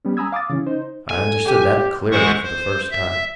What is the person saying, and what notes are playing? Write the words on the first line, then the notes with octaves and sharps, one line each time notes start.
I understood that clearly, for the first time.
G3 B3 C#4
G#5 A#5 B5 D#6 E6 G#6
F5 D6 D#6 A6
C#3 E3 C#4
D#4 C5
A4 G#5
G4
E3 G#3 C5 F#5 C#6
C5
E5